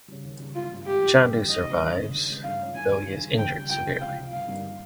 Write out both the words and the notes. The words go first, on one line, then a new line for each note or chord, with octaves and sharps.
Chandu survives, though he is injured severely.
C#3 G3
D#2
C#3 G3
G#1 F4
G2 G3
G#1 G4
G2 G3
G#2
G3 C4
G#2 D#5
C4
G3
D#2
C#3 G#3 D#4
D#2
C#3 G#3 D#4
G2 F5
D#3 G#3 C#4 F4
G2 G#5
D#3 G#3 C#4 F4
D#2
C#3 G3
D#2 G5
C#3 G3
C#2 G5
C3 F3
C#2 F5
C3 F3
G1 F5
G2 G3 A#3 D#4